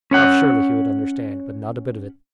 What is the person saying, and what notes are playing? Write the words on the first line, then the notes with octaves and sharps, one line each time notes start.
Now surely he would understand; but not a bit of it.
C#4 C#5 F#5